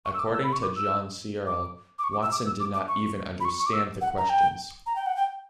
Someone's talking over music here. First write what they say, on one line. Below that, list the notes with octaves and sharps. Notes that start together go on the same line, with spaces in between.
According to John Searle, Watson did not even understand the questions.
C#6
E6
D6
E6
B5
C#6
D6
E6
D6
D6
C#6
D6
E6
D6
E6
D6
D6
C#6
B5
C#6
C#6
D6
E6
F#5
A#5
G5
A#5
G5
F#5
G5